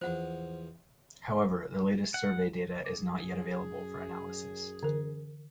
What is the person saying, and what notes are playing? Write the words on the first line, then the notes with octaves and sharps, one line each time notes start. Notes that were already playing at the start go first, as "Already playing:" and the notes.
However, the latest survey data is not yet available for analysis.
E2 F3 C5 F#5
F#5
F#2 G#4 D6
D3 E3 A#4